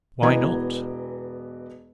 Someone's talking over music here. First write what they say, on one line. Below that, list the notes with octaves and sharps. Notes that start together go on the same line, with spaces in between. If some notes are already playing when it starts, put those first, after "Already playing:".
"Why not?"
E1 E3 B3 D#5 A#5 G#6